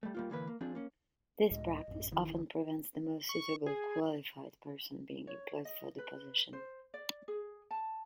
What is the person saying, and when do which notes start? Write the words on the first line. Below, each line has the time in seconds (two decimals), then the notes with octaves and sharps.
This practice often prevents the most suitably qualified person being employed for the position.
0.03 G3 A3
0.15 G3 A#3 F4
0.30 D3 E3 A#3 B4
0.47 A#3
0.61 F3 C4 D4 G#4
0.75 A#3 C#4
1.51 C#2 A2 G#3 D#5
1.88 A1 F#2
2.11 D#1 D#3 E3 E4
3.29 C#6
3.67 G#4
5.27 C#5
5.65 D#5
5.98 B4
6.53 C5
6.94 D5
7.28 G#4
7.71 A5